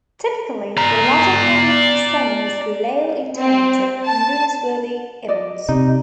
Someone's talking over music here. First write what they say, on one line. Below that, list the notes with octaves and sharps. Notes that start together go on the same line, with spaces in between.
Typically, the latter half of the summer is slow in terms of newsworthy events.
D5 A#5
C4
A5
D5 D#5
C3 D#4